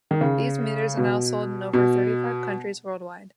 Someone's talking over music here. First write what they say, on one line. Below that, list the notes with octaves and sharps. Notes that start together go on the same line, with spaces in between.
These meters are now sold in over thirty-five countries worldwide.
D#3
C#3
B2
B2